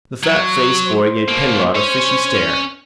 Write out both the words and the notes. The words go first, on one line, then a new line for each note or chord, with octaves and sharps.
The fat-faced boy gave Penrod a fishy stare.
F#3
C5
B2 A#3
C#4 C#5